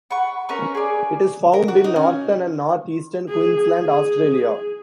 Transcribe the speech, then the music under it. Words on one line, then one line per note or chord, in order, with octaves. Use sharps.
It is found in northern and north-eastern Queensland, Australia.
F#5 B5 C#6
C#4 A#4 B4 C#6
G#4 D5
A#4
F#4
D#4
C#4
G#4
G#4